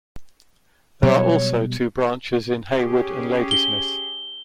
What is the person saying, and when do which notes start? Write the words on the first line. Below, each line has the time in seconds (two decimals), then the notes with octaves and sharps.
There are also two branches in Hayward and Ladysmith.
1.03 B2 F#3 G3 C#5
2.70 C#4 G4 G#4
3.51 G7